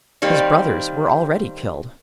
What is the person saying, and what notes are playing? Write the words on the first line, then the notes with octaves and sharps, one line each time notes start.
His brothers were already killed.
D#3 G3 A#3 C4